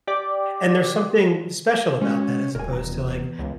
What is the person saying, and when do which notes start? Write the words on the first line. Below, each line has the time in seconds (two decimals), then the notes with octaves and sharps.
and there's something special about that, as opposed to, like,
0.07 G4 D5
2.01 G#3 C#4 F#4
2.55 D#1 A#4 G#5
2.73 D#1 E2 A#5
3.39 C#2